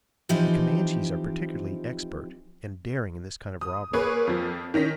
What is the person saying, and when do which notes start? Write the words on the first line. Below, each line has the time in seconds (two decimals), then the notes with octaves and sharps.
The Camanches are particularly expert and daring in this kind of robbery.
0.29 E3 F3 C4 D#4 G4 C5
3.61 D#6
3.93 A#3 G#4 B4 C#5
4.27 F2 F3
4.74 D#3 C#4 A#6 B6